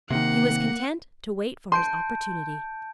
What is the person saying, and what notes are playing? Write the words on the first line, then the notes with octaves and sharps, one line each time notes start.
He was content to wait for his opportunity.
C3 D#3 A#3 F#5
A5 C6 G6 D7